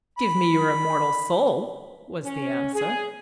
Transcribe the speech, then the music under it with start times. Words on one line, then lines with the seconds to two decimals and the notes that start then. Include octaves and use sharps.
"Give me your immortal soul," was the answer.
0.18 B5
2.24 C#4
2.74 G#4